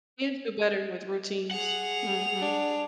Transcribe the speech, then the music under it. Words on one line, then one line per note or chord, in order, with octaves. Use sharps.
Kids do better with routines. Mhm.
G#4 F#5 F7
D4